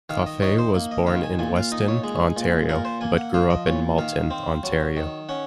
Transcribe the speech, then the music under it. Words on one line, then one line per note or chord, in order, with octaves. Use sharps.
Coffey was born in Weston, Ontario, but grew up in Malton, Ontario.
D#3 F5
D#5
D#4 C#5
C5
A#3
D#5
D#3 F5
G#5
A#2 G#5
F5
D#4 D#5
C#5
G#3
A#2
A#2 A#4
C5
A#3 G#5
F#5
F3 F5
D#5
A#2 C#5
D#3 F5
C4
F#3
D#3
C#4 F#5